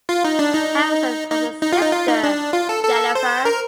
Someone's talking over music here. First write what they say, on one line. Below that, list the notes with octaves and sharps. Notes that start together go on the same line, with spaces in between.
Harrison has a sister, Jennifer.
F4
D#4
D4
D#4
D#4
D#4
F4
D#4
F4
D#4
D4
F4
A4
A4
C5
A#4